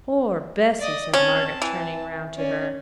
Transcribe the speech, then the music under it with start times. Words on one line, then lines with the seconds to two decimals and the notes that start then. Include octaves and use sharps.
'Poor Bessy!' said Margaret, turning round to her.
0.79 D5 D#5
1.14 C4 C#4 A5
1.62 E3
2.36 C#4 D5